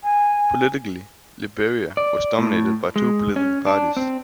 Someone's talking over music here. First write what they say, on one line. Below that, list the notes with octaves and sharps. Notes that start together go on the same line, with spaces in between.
Politically, Liberia was dominated by two political parties.
G#5
D5
A2
G#3
C#4
D4
C4